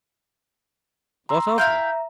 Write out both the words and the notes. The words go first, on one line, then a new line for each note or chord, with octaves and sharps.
"What of him?"
A#5 C6 E6
E4 E5 F5 G5 A#5